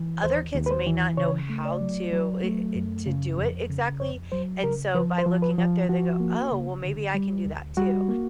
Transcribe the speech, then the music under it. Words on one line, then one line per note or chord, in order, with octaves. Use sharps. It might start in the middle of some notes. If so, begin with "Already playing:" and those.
other kids may not know how to eh eh, to do it exactly, and so by looking up there, they go, "Oh, well, maybe I can do that, too."
Already playing: E3
D#2 C5
D#2
B4
C5
E3
C#3 C#5
A3
D5
F#3
F#3
A3
F#2
C#3
F2
C#3
F2 C#5
F#3 C5
C#3 A#4
F3 B4
C5
F3
B4
F3
F3 F#4
A#3
C#3
D3
G3
D2
G3 F#4
A#3